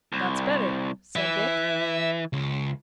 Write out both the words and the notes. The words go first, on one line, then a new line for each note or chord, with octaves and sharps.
"That's better," said Dick.
C2
E3 E5
C#2